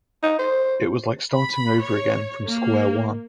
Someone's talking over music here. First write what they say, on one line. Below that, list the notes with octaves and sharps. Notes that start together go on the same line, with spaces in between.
It was like starting over again from square one.
D#4
C5
B5
C#5
A#3